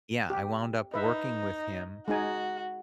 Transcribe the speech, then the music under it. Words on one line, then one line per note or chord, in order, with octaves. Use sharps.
Yeah, I wound up working with him,
G4
D#4 B4 E5
G#3 D#4 F#4 G#5